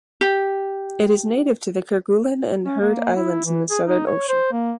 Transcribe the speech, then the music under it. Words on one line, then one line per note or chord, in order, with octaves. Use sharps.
It is native to the Kerguelen and Heard Islands in the Southern Ocean.
G4
C#4
A#3
E4
E3
G#4
D#4
C#5
C5
A#3